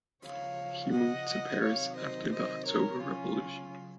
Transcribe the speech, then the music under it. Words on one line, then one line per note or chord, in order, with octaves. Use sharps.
He moved to Paris after the October Revolution.
C#3 F3 C#5 F5
D#5 F#5
C3 D#3 F#3 C#5 F5
C5 D#5
C5 D#5
A#4 C#5
C#3 F#3 C#4 F4